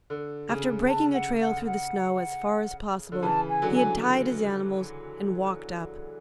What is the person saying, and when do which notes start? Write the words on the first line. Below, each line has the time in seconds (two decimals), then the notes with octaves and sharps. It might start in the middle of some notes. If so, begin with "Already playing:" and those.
After breaking a trail through the snow as far as possible he had tied his animals and walked up.
0.10 D3
0.49 C#3
0.88 A5
1.14 F#5
1.41 F#5
1.66 F#5
3.12 D3
3.22 C#3 E3 A5
3.49 G#5
3.62 D3 F#3
3.75 G#5